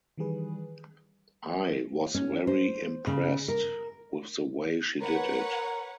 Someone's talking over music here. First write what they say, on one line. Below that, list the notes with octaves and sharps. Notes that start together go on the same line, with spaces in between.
I was very impressed with the way she did it.
D#3 E3 G3 G#4 B4
C#4
C5
C#3
A#4
A#4 B4 C#5 F#5